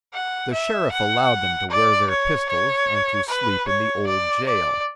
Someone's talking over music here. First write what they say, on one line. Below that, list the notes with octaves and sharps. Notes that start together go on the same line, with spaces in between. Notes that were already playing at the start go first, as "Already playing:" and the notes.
The Sheriff allowed them to wear their pistols and to sleep in the old jail.
F#5
E5
F#5
D5
C#5
C#5
B4
C#5
D5
D5